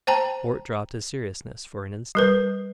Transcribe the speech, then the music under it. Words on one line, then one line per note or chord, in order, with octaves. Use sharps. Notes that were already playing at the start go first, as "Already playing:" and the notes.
Fort dropped his seriousness for an instant.
C5 G5 A5 A#5
G3 A#4 B4